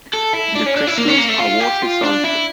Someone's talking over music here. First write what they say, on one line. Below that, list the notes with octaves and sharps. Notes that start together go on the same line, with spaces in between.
The crystals are water-soluble.
A4
E4
D4
C#4
D4
E4
A#3
C#4
A#3
A3
F4
G4
F4
D4
E4